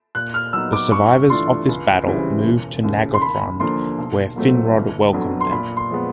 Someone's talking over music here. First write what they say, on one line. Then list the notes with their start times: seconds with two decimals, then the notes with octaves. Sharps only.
The survivors of this battle moved to Nargothrond, where Finrod welcomed them.
0.15 A#2 F#6
0.34 F6
0.53 F#3 B3 D#4 E6
0.73 D6
0.92 G2 C#6
1.30 E3 A3 D4 F4 C6
1.68 C#2
2.07 C#3 E3 G3 C4
2.45 E1
2.83 D#2 C#3
3.14 C6
3.21 D#2 B5
3.60 D3 F3 A#3 C6
3.98 B1
4.36 A#2 F#3 A3 C4
4.75 G1
5.13 F2 D3 F#3 B3
5.41 C6
5.51 A#2 B5
5.77 C6
5.90 F3 G#3 B3